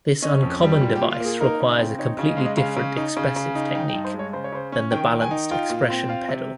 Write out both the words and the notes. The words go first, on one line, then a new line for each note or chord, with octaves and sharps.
This uncommon device requires a completely different expressive technique than the balanced expression pedal.
C#4 D#5
F2
G3
A#2
G4
A#2
F4
A#3 G#4
D#4 A#4
C#3
C4
D#4 C#5
C#3
D#5
G#3 F5
D#5
C#3 F5
C#3
D#4
C#3
C#3
D#4
D#4 G5
G5
G2
C5
G#3
C#5
C#3 C5
C#5
C#3 C5
C#4
D#3 G5
D#3
G#5
D#4
F4 G5
A#2
C4
F4 F5
C3